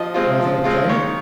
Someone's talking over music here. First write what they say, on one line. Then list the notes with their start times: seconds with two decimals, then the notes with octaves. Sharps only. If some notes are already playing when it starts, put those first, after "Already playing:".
"Where they are playing?"
Already playing: F3 D#5
0.14 G#3 C4 F4
0.39 F3
0.64 G#3 C4 F4
0.89 D#3 C#5